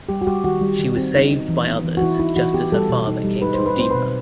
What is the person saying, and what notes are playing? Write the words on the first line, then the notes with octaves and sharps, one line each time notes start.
She was saved by others just as her father came to redeem her.
G3 G4
F#4
G3 G4
D#3 F#4
G3
D#3
C4
D#4
D#4
E3
B3
E3
F#4
E3 E4
D#4 E4
E3 F#4
B3 G4
G3 A4
B2
D#4
G3
D#4 B4
C5
D#4
B4
C4 C5
B2 B4